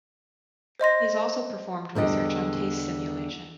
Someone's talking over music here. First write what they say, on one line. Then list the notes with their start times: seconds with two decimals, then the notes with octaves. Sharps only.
He has also performed research on taste simulation.
0.80 C5 D#5 C6 A#6
1.95 E2 D3 G3 D#5